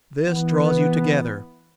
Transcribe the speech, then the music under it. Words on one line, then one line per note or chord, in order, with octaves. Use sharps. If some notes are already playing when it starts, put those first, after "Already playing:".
This draws you together.
E3 B3